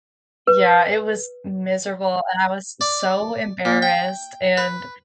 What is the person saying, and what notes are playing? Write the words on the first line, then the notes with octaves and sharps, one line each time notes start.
Yeah, it was miserable, and I was so embarrassed, and,
B4
D5
A#2
G5
B4